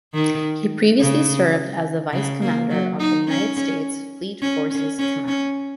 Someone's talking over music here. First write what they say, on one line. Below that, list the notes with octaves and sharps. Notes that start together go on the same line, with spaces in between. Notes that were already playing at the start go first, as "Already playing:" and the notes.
He previously served as the Vice Commander of the United States Fleet Forces Command.
D#3
C#3
C#3
A#3
F#3
D#4
C#4
C#4
C#4
C#4
C#4